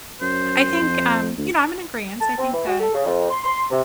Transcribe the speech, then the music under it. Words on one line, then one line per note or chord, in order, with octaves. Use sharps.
I think, um, you know, I'm in agreeance, I think that,
F#2 C5
F2
D2
A5
C4
E3
F#4
A4
C#3
F2
C6
C6
C3